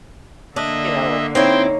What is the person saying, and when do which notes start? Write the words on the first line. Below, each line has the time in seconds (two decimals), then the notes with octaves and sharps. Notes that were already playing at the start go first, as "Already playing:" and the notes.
you know
0.56 D3 A#3 D4 D#5 E5
1.35 C4 D#4 E4 C#5 G5 C6